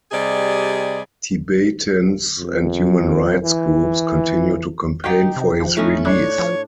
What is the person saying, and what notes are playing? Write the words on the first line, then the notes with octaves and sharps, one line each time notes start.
Tibetans and human rights groups continue to campaign for his release.
C3 G3 G#4 D5 D#5
F2
E3
D#4 F#4 G4 G5
C3
F3
A2 A3 C#4 D#4
D4 E4 C#5
F3